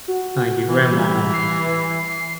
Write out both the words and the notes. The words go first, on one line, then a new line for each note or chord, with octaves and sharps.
Uh, your grandma
F#4
E3
G3
C7